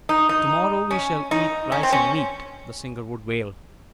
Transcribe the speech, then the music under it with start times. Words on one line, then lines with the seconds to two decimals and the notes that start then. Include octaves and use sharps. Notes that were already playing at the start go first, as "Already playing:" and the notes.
"To-morrow we shall eat rice and meat," the singer would wail.
0.09 D#4
0.29 D#4
0.91 C#4
1.31 D#4
1.72 C#4
1.83 C4
1.92 C#4